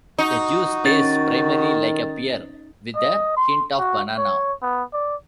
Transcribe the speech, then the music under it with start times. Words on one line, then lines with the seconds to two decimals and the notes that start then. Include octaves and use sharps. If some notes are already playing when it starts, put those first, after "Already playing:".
The juice tastes primarily like a pear, with a hint of banana.
0.19 D#4 F#4
0.85 D#3 C#4 A6
2.96 D#5
3.37 C6
3.79 F#4
4.17 C#5
4.62 B3
4.93 D5